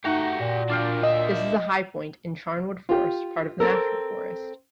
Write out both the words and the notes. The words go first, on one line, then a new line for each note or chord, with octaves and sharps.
This is a high point in Charnwood Forest, part of the National Forest.
A3 D#4 F#4 G4 F#5
A#2
D4 F4 D5 F5 G5
D4 D#5 E5
F4 G4
C4 A4 A#4 E6